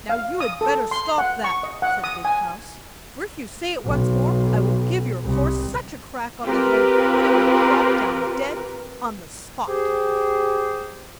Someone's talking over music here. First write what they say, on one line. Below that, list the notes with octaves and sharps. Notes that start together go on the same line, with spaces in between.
'Now you had better stop that,' said Big Klaus, 'for if you say it once more I will give your horse such a crack on the head that it will drop down dead on the spot!'
F5
D#6
A4
C6
F#5
C#6
D#5
F#5
D#6
G#5
B1
C2
C4 F4 G4 A#4 B4
G4 G#4 C5